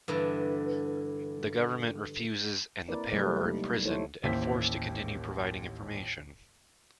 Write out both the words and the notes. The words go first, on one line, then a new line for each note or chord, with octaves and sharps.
The government refuses, and the pair are imprisoned and forced to continue providing information.
G2 D3 E3
A#3 C4 E4 A#4 B4 D5
C3 F#3 G3 A3
A#3 D#4
D#4 E4 A4 C5 C#5
A1 D#2 A#3 E4 C5 B6